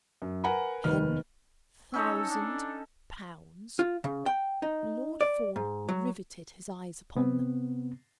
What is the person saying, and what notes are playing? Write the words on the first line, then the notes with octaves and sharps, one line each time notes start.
"Ten--thousand--pounds!" Lord Fawn riveted his eyes upon them.
F#2
A#4 B4 F#5 G#5 A#5 B5
F1 D#2 D#3 B4 F6
C#4 D#4 A4 E6
D4
F4
C#3
G5
D#4
D5
G#2
F#3
C3 B3 C4